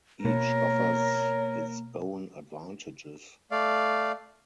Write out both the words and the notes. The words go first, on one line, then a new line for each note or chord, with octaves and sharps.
Each offers its own advantages.
B2 A#3 A#4 C#5
A3 D5 F5